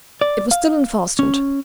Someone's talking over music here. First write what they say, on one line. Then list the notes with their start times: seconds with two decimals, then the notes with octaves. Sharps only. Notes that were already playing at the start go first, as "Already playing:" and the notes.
It was still unfastened.
0.21 D5
0.51 F5
1.19 C#4